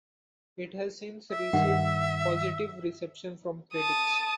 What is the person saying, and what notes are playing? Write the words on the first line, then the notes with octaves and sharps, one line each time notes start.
It has since received positive reception from critics.
E5
G2 D#3 G4 F#5
A5 D#6